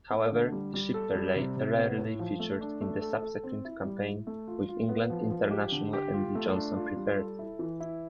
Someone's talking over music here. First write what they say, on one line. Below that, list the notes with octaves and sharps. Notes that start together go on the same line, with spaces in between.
However, Shipperley rarely featured in the subsequent campaign, with England international Andy Johnson preferred.
A3
D3
G3
G3
A4
G3
C3
C3
B3
A2
F3
A3
D4
A3
A4
A4
C4
E4
G3
E4
A3
F4
F4
B3
F3
F3
G4
D3
G4
F4
A3
D4
F4
G3
A4
E4
E3
E4